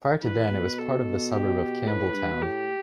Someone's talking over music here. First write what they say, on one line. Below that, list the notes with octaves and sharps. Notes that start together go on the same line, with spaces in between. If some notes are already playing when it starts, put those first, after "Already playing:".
Prior to then it was part of the suburb of Campbelltown.
E3 B4
B2
A4
G4
A2 B4
G2
B2
A2 G4